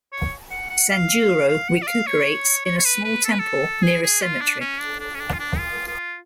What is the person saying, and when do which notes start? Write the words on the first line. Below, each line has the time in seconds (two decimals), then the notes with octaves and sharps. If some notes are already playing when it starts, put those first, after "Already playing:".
Sanjuro recuperates in a small temple near a cemetery.
0.12 C#5
0.51 F#5
0.70 F#5
0.90 F5
1.48 F5
1.68 F#5
1.82 D5
1.87 F5
2.07 C#5
2.65 C#5
2.78 C#5
2.85 B4
3.04 B4
3.24 A4
3.31 B4
3.39 A4
3.83 G#4
4.03 G#4
4.22 F4
4.41 D4
4.61 C#4
4.80 D4
5.00 D4
5.15 C#4
5.20 D4
5.33 F4
5.39 D4
5.59 F4
5.87 F4